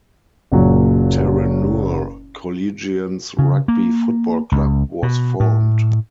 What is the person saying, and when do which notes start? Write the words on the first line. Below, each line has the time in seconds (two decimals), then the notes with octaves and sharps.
Terenure Collegians Rugby Football Club was formed.
0.52 F#1 A#2 F#3
3.39 C#3
3.68 A#3
4.52 C#2
5.03 B2
5.40 A2